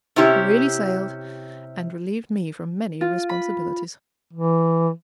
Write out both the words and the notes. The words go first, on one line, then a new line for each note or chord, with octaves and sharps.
'Really sailed, and relieved me from many responsibilities.
C3 C#4 E4 G4
F4
B5
E3